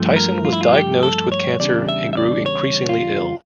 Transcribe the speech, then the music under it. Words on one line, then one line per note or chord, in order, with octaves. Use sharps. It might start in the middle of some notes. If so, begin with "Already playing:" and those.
Tyson was diagnosed with cancer and grew increasingly ill.
Already playing: G2 F3 A3
A#4
F4
E4
F4
G4
A4
C#5
E2 C#3 G3 D4 D5
E5
E5
D5
C#5
F4